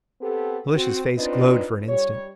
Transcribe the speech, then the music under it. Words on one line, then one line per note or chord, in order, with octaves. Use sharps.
Felicia's face glowed for an instant.
B3 C4 G4 A4
C4 F#4
B3 C4 D4 D#4 F4 B4
G3 C#5